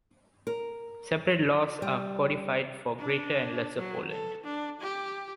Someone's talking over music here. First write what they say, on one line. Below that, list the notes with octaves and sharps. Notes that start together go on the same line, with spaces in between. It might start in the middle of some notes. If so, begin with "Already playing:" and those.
Separate laws are codified for greater and lesser Poland.
A#4
G3
D4
F#3
A4
D4
G4